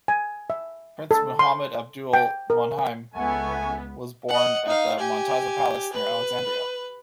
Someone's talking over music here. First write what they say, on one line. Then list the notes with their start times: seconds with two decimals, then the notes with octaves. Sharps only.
Prince Muhammad Abdul Moneim was born at the Montaza Palace, near Alexandria.
0.08 G#5
0.50 E5
1.11 A4
1.39 C6
2.13 G5
2.50 A#4
3.15 C#2 B3 A4 E5 F#5 G#5 C#6
4.29 D#5 F#5
4.66 D#4 F5
4.99 G4 G#5
5.93 B4